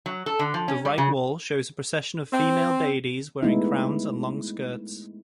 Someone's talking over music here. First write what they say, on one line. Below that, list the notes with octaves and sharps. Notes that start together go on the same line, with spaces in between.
The right wall shows a procession of female deities wearing crowns and long skirts.
F#3
A4
D3
F3
C#4
G3
C#3
C4
G#3 A3 B3 D#4 E4